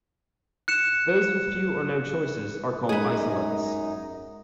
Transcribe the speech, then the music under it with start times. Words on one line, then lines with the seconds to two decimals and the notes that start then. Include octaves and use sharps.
Those with few or no choices are called isolates.
0.68 F#6 C#7 E7
2.89 F#2 G#3 D#4 G#4 B4 D#5